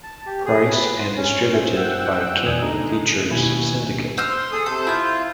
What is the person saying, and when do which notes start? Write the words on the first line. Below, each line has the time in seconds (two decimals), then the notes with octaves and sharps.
Price and distributed by King Features Syndicate.
0.03 A5
0.26 G4
0.46 G#4
0.72 B4
1.00 C6
1.17 C#4
1.54 G#4 C5 E5
1.77 F#5 G5 E6
2.46 E2 D5 G#5 D#6
2.62 D3 G#3 D#4
3.30 D#2 B2 E4 G#5
4.18 C5 E6 F6
4.30 C6
4.52 G#4 A4 D#6
4.66 C3 A4 C5
4.87 E4 F4 G6